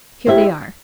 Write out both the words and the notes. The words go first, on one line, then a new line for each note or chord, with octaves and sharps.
"Here they are."
E4 G4 C5 E5